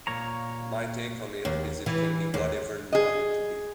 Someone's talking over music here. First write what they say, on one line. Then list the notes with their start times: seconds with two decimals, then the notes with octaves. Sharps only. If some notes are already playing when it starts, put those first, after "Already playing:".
My take on it is it can be whatever you want it to be.
0.07 A#2 A#3 C#5 A#5
1.45 D#2
1.86 E3
2.34 D#2
2.92 G#4 D#5